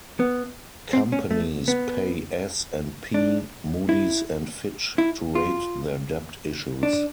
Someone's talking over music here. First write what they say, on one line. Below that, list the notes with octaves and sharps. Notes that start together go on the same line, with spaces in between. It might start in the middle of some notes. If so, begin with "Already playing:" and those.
Companies pay S and P, Moody's and Fitch to rate their debt issues.
B3
C4
C#4
A3
B3
D4
E4
E4
F4
D4